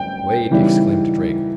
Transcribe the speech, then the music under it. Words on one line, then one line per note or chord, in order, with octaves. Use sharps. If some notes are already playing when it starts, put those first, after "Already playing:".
"Wait!" exclaimed Drake.
Already playing: G3 G5
C#3 E3 G3 B3 D#4